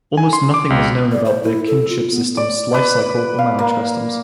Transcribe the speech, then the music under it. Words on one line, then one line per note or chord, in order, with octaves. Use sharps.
Almost nothing is known about their kinship systems, life cycle, or marriage customs.
G#5
C6
D6
C#2
D5
C5
E4
A4
F4
B3
D5
B4
F5
A#3